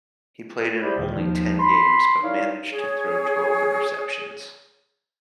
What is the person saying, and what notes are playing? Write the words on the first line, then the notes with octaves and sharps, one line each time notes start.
He played in only ten games but managed to throw twelve interceptions.
E4 G4 G#4 C5 D5 E5
D#2 A#2 D3 D#3
D#2 F3 D#4
B5 C6
D#4 E4 A#4 C#5 D5 F5
G#4 C#5